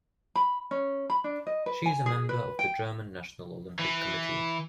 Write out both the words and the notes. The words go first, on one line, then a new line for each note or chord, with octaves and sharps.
She is a member of the German National Olympic Committee.
B5
C#4
B5
D4
D#5
B4
G#5
G#4
B4
G5
E3